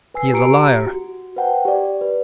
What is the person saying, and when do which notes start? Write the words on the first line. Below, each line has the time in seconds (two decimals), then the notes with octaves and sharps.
He is a liar.
0.14 B4 G#5 E6 C7
0.33 G4 A#5 C#7 D7
0.86 F#4
1.36 B4 C5 F#5 G5 A5
1.65 G4 D5
2.01 B4